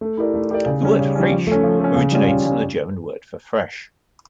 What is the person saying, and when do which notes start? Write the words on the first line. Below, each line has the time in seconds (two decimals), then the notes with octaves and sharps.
The word "Frisch" originates from the German word for "fresh".
0.01 A3
0.17 E4 G4 A#4 D5
0.34 A3
0.50 E4 G4 A#4 D5
0.66 C#3
0.82 G3 C#4
0.99 C#3
1.15 G3 C#4
1.31 F3
1.47 A3 C#4
1.64 F3
1.80 A3 C#4
1.96 C#3
2.12 G3 C#4 F4
2.28 C#3
2.45 G3 C#4 F4